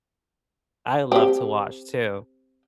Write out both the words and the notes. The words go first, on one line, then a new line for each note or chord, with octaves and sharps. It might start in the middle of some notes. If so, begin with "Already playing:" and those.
I love to watch too.
C4 G4